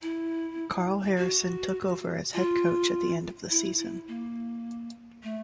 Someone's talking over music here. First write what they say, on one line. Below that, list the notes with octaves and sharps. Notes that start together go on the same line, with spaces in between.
Karl Harrison took over as head coach at the end of the season.
E4
F#4
F4
E4
E4
A#3
A3